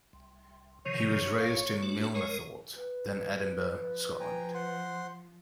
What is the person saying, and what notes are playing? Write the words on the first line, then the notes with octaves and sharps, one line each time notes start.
He was raised in Milnathort then Edinburgh, Scotland.
C2
C3 D#3 F3 C#5
G#1 F5
A3 D4 F#4
G#3 A#4 C#5
B4
F3
G5 G#5 A#5
C5 F#5 C6